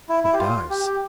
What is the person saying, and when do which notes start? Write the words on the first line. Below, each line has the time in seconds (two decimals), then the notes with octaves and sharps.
"It does."
0.09 E4
0.24 E4
0.33 G4
0.39 F4
0.70 G4
0.86 G4